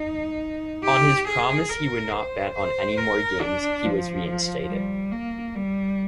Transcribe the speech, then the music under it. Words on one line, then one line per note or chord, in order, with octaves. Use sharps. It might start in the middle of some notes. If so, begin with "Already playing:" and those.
On his promise he would not bet on any more games, he was reinstated.
Already playing: D#4
G4
G#4
A#4
C5
C5
A#4
D4
F3
G3
A#3
G3